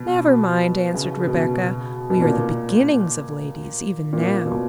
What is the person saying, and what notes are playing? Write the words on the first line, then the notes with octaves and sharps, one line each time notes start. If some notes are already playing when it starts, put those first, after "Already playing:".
"Never mind," answered Rebecca; "we are the BEGINNINGS of ladies, even now."
Already playing: B2
C#3
B2
B2
A#2
A#2
B2